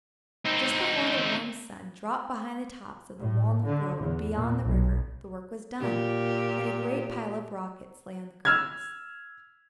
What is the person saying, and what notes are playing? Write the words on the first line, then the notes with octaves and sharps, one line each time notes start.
Just before the warm sun dropped behind the tops of the walnut-grove beyond the river the work was done, and a great pile of rockets lay on the grass.
C4 D#4
A2
D3
E2
A#2
B1
A#2 G4
E6 F6 G#6